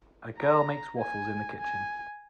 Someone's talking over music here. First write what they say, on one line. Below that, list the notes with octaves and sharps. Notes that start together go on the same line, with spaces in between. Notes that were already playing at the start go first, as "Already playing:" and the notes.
A girl makes waffles in the kitchen.
A#5
G#5
G#5